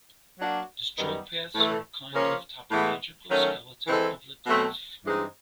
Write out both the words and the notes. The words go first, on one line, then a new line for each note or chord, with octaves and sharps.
The stroke paths are a kind of topological skeleton of the glyph.
F#3 A#3 D4 F#4
F#2 D#3 G3 B3 D#4
A2 E3 A3
C#3 F3 A#3 C#4
A2 E3 G#3 B3
D#3 F#3 A3 C#4
E3 G#3 C4 E4 A4
B2 F#3 A3 C4
G2 E3 G#3 C4 D#4